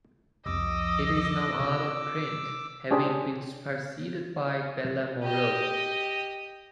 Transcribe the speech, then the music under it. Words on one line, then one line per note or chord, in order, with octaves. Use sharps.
It is now out of print, having been superseded by "Belle Moral".
C2 F2 F3 D#5 D6 E6
C3 F4
C#4 D4 G4 G#4 C5 G#5
G4 D#5